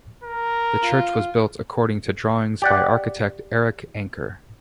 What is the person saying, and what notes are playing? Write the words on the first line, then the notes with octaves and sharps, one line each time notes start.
The church was built according to drawings by architect Erik Anker.
A#4
F4
G4 D5 F#5